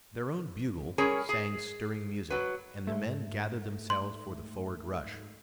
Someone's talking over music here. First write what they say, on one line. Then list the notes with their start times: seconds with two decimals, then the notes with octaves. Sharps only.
Their own bugle sang stirring music, and the men gathered themselves for the forward rush.
0.98 G3 C#4 G#4 A#4 C#5
1.29 G#4
2.30 F#3 B4
2.87 G#2 A3
3.90 C6